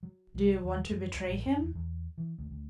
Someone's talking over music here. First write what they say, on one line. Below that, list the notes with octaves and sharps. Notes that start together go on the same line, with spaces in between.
Do you want to betray him?
F#3
C2
D#2
F#2
C#2
A1
F#2
E2
E2
E3
D2
D2